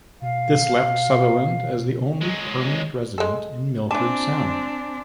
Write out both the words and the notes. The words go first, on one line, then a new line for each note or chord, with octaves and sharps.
This left Sutherland as the only permanent resident in Milford Sound.
B2 F5
F#3 G#3
G#3 A4
E3 C4 D4 G#5 A5 C6 D6